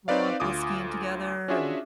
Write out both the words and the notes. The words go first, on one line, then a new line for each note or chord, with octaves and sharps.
we'll all go skiing together and
C4 D#4 B4 D5 F5
D2 F4 D6 D#6
C#4 D4 F4 F#4 G#4 E5